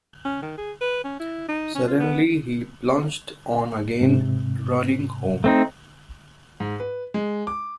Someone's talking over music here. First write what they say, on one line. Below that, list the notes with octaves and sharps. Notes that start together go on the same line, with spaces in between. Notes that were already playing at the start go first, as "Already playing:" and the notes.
Suddenly he plunged on again, running home.
C#4
D#3
G#4
B4
C#4
E4
D#4
C#4
F4
B3
G#2 C3
A3 C4 D#4
G#2
B4
G#3
D6